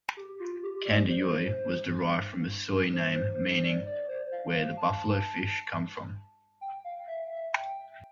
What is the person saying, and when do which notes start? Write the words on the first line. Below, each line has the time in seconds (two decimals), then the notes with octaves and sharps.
Kandiyohi was derived from a Sioux name meaning "where the buffalo fish come from".
0.17 G4
0.40 F4
0.63 G4
0.85 D5
1.09 C5
2.93 C5
3.15 C5
3.39 C5
3.62 D5
3.86 D5
4.08 C5
4.32 F5
4.54 F5
4.77 A5
6.61 G5
6.84 F5
7.07 E5
7.31 E5
7.54 G5